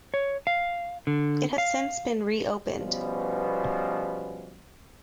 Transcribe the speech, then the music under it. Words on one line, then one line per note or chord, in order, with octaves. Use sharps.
It has since been re-opened.
C#5
F5
D3
F5
B2 F3 G3 B3 C#4